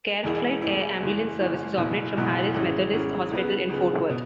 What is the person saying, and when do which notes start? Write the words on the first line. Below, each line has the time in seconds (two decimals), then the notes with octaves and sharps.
CareFlite air ambulance services operate from Harris Methodist Hospital in Fort Worth.
0.23 E1 E2 E3 G#3 E4
0.62 E1 E2 E3 G#3 E4
1.00 F#1 E2 E3
1.39 F#1 E2 E3
1.77 F#1 E2 B2 F#3 E4
2.16 F#1 E2 B2 F#3 E4
2.54 G#1 G#2 G#3 C#4 E4
2.93 G#1 G#2 G#3 C#4 E4
3.31 C#2 C#3 G#3 B3
3.70 C#2 C#3 G#3 B3
4.10 B2